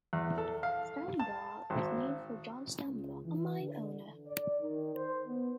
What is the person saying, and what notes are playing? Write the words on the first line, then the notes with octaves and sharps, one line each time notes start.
Stambaugh was named for John Stambaugh, a mine owner.
E2
A4
F5
A5
G#1
C#2
E3
D3
D5
D#3
C5
B3